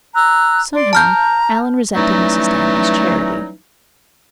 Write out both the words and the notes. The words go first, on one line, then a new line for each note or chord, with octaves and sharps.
Somehow, Alan resented Mrs. Danby's charity.
A#5 E6 F#6
D5 C6
A5 A#5 F6 G6
E3 F#3 G3 A3 C#4 D#4